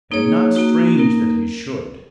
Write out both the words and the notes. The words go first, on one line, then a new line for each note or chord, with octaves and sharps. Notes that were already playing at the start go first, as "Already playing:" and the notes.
And not strange that he should.
A#3 D#4 G#4 C#5
A#3 D#4 F#4
A#3 D#4 A#4